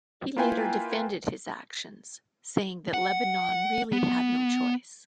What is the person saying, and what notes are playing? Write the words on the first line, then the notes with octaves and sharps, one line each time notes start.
He later defended his actions, saying that Lebanon really had no choice.
A#3 E4 F4 B4 G5 G#5
F#5
B3